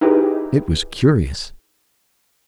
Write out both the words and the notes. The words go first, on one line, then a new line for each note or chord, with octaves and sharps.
It was curious.
D#4 E4 G4 G#4 A#4 B4